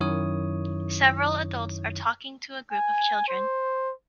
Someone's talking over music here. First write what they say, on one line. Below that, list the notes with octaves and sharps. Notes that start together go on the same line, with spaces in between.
Several adults are talking to a group of children.
F#2 D#3 E4 C#5 D#6
G#5
C5